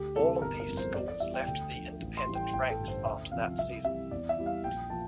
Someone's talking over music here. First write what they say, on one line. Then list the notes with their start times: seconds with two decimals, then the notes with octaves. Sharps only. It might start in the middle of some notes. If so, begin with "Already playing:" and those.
All of these schools left the independent ranks after that season.
Already playing: D2 G4
0.15 C3 E3 G3 A4
0.42 G1 A#4
0.60 A#4
0.68 F2 E3 G3
0.77 C5
0.94 E2 D5
1.08 D5
1.20 E3 G3 E5
1.34 G5
1.47 D2 G5
1.74 D3 F3
2.00 A1
2.17 C6
2.26 A2 E3 G3
2.35 G5
2.53 A1 G5
2.70 A4
2.79 G2 D3 G3
2.88 C5
3.06 D2 E5
3.32 C3 F3 F5
3.58 C2 E5
3.85 C3 E3 G3 E5
4.11 E2 D5
4.29 E5
4.38 E3 G3
4.46 F5
4.64 A#1 G5
4.90 A#2 F3 A5